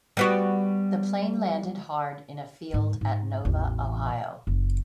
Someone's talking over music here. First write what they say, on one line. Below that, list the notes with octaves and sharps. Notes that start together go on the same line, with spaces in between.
The plane landed hard in a field at Nova, Ohio.
G3 B3 F#4
G#2 D#4
G#2
A1 E2
F#1